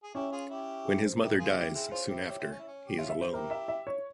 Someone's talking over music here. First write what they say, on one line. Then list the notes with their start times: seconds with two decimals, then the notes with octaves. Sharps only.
When his mother dies soon after, he is alone.
0.03 G#4
0.15 C#4 E4 G4
0.32 F4 G#4
0.51 E4 G4
0.85 G#4
1.04 C5
1.21 E4 G4 A#4
1.38 F4 G#4
1.56 E4 G4
1.74 C4 E4 G#4
1.91 C#4 F4 C5
2.09 E4 G4
2.27 E4 G4 C#5
2.39 C4 E4
2.51 C#4
2.59 E4
2.67 C#4
2.87 G4
2.98 C#4 F4 E5
3.10 E5
3.22 C5
3.33 E4 G4 A#4
3.51 E5
3.68 E5
3.87 C#5